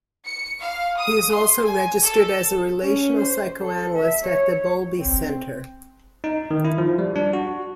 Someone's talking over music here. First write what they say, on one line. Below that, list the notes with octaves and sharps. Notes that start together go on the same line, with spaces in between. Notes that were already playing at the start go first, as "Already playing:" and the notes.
He is also registered as a Relational Psychoanalyst at the Bowlby Centre.
C#7
F5
D#6
C6
G#5
A4
C#4
C5
A4
E5
C#5
C4
D#4
D#3
E4
F3
G3
D4
F#4